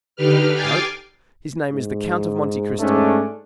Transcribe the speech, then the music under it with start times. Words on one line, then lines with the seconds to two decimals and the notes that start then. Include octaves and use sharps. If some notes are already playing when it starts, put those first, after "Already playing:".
"No, his name is the Count of Monte Cristo."
0.16 D3 D4 D#4 G4 B4 F6
0.53 G5 G#5 D6 F6 A6 C7
1.72 G#2
2.79 G#2 A3 C#4 D4